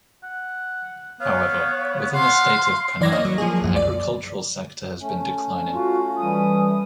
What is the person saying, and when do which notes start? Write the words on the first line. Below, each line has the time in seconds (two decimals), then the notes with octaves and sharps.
However, within the State of Penang, the agricultural sector has been declining.
0.23 F#5
1.21 B3 C#5 F5
2.13 F5 F#5 C6
3.00 F#2 E3 D5 G#6 A#6
3.12 A#3 C#5 D#5
3.25 F#3
3.38 F3 A#3 G#4
3.61 C2 F#2
3.76 D5
5.01 A3 C#4
5.74 F4 F#4
6.17 E3 G3 D#6